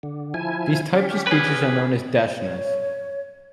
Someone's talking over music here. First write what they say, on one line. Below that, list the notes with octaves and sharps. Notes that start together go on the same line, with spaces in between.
These types of speeches are known as deshnas.
D3
F3 E4 G#5
C#4 G4
G#4 B4
C#5